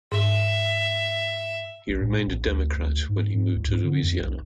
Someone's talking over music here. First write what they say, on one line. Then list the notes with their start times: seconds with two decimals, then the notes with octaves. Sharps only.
He remained a Democrat when he moved to Louisiana.
0.12 G#2 E5
1.89 A#1
2.01 A2
2.27 A#1
2.46 D2
2.76 D2
3.09 G#2
3.34 G#2
3.55 C#2
3.68 G#2
3.84 D3
4.03 F2
4.20 B1